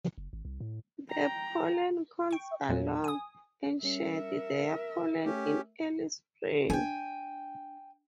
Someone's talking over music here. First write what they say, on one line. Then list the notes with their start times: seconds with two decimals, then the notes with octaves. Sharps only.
The pollen cones are long, and shed their pollen in early spring.
0.18 F#1
0.33 G#1
0.45 C2
0.60 A2
1.10 G5 A#5
2.31 G5 C#6
2.69 E2 A#2 F#3 A#3 C#4
3.04 G#5 D#6
3.83 G3 C#4 A#4 E5 C#7
5.25 A3 C#4 G4
6.70 D4 G5 G#5